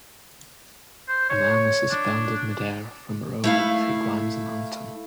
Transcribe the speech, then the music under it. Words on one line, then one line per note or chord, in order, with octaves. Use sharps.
A man is suspended midair from a rope as he climbs a mountain.
C5
C#5
D4
A3 E4 F5